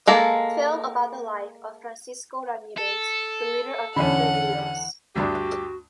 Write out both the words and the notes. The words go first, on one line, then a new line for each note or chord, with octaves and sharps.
Film about the life of Francisco Ramírez, the leader of Entre Ríos.
G#3 A#3 A4
A4
E2 D3 C#4 F#5 B5
D2 G2 D4 F#4 G4